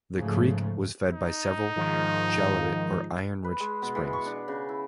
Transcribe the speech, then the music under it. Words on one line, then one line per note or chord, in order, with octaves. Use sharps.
The creek, was fed by several "chalybeate" or iron rich springs.
G#2 C#3 F3 A3
D#4
G#2 D#3 F3
B4
G#3
B2
E3
C#6
D4
C#3
E4